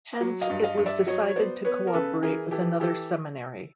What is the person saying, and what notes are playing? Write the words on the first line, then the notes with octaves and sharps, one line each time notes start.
Hence it was decided to cooperate with another seminary.
F#3
D#5 F5
G2
D#5 F5
G2
D5 E5
F#3 C#5 D#5
C#5
B3 C5 D5
B3 B4 C#5
A#4
C#3 A4 B4
E3 G#4 A#4
E3 G4 A4
E3 G4 A4